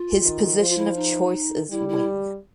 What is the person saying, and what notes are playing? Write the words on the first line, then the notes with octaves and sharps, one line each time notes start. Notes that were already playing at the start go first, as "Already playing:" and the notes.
His position of choice is Wing.
Already playing: F4
D#3
F3 F4
F4
E4
D#4
G3 E4
E4